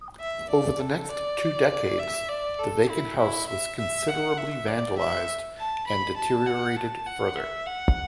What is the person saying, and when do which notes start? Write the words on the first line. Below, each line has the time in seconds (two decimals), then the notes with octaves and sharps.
Over the next two decades, the vacant house was considerably vandalized and deteriorated further.
0.20 E5
0.50 D5
0.80 A4
1.09 D5
1.99 E5
2.29 D5
2.59 A4
2.89 E4
3.18 E4
3.48 E5
3.78 E5
4.08 F#5
4.37 E5
4.68 D5
4.98 E5
5.57 A5
5.87 B5
6.16 A5
6.46 F#5
6.76 A5
7.06 F#5
7.36 E5
7.66 F#5